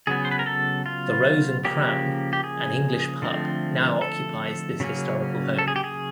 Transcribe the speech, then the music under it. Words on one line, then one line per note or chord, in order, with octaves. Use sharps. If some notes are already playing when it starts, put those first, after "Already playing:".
The Rose and Crown, an English Pub, now occupies this historical home.
C#3 F#3 B3 G#4
C5
B4
A#4
A4
F4
C#3 F3 A#3 C#4 G4
G4
G#4
D3 F3 A3 C4
A4
C#3 F#3 A#3 C#4
A4
G#4
G4
G#4